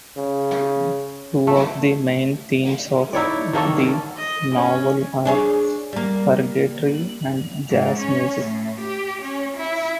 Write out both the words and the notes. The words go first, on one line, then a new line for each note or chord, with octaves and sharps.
Two of the main themes of the novel are purgatory and jazz music.
C#3
A3
D#4 E4 C#5 D5
D#3 A#3 A4 C#5
D#5
C#4
D4 G#4 C#5
G3 A#3
G#2
C#4
A2
G4
C#4
E4